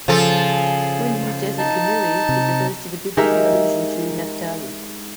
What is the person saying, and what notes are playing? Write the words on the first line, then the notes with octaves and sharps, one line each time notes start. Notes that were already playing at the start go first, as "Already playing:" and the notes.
When used as a kinnui, it refers to the Biblical allusion to Naphtali.
C#3 F3 G#4 A4
D#4 A5
C3
G#3 D#4 G4 A#4 E5